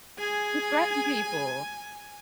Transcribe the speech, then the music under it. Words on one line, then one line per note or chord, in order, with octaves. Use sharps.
to threaten people?
G#4 G#5